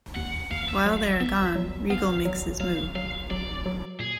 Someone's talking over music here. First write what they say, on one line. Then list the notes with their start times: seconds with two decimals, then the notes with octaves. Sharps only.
While they are gone, Regal makes his move.
0.16 D#2 F#5
0.51 D#2 F5
0.68 E5
0.86 F#3 F5
1.04 E5
1.21 B3 E5
1.55 F#3
1.90 B3 F5
2.25 F#3
2.60 F#3 F5
2.95 F#3 F5
3.30 F#3 D5
3.66 F#3
4.00 A#2 G#4